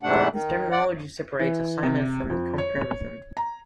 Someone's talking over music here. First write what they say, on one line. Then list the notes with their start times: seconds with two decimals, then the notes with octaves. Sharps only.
This terminology separates assignment from comparison.
0.03 E2 G#2 C3 A3 D4 F#5
0.32 D#3
0.72 D5 F#5
1.39 E3
1.83 C3
2.30 F2
2.58 C#5
3.37 A#5